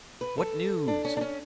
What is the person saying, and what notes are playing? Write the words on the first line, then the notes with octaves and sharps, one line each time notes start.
"What news?"
B4
A4
D4
C#4
D4
C#4